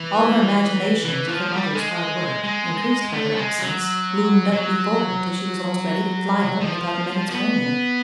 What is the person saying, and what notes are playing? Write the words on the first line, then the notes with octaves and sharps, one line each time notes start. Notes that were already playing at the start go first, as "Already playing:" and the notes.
All her imaginations of her mother's hard work, increased by her absence, loomed up before her, till she was almost ready to fly home without a minute's warning.
Already playing: E3
E3
F3
G3
G#3
G#3
A3
G#3
F#3
F#3
F3
B3